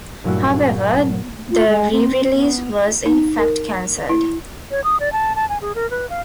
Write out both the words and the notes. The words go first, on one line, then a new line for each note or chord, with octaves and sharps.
However, the re-release was in fact cancelled.
G2 A#2 F#3 A3 E4 F#4
F4
G#3
C4
B3
D#4
A#4
E4
C#5
D#6
D5
A5
A5
G#5
G#4
A#4
B4
F5